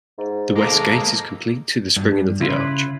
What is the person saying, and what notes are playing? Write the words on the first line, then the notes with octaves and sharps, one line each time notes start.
The west gate is complete to the springing of the arch.
G#2
G#3 A#3 A4 A#5 D6
G2
C#3 E4 F4 B4